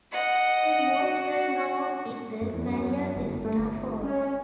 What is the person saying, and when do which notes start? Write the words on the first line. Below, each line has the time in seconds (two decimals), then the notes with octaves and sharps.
The most well known is the Maria Cristina Falls.
0.12 D#5 F#5
1.01 F#4
2.41 F#2
2.53 E2
2.66 F#2
3.16 G1
3.44 A3
3.59 G1
4.03 C#4